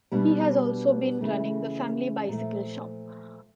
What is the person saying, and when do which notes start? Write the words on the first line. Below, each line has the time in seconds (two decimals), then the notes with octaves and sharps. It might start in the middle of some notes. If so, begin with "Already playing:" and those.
He has also been running the family bicycle shop.
0.12 B2 G3 B3 D4
1.21 C#3 E3 A3
2.28 A#2 F3 A3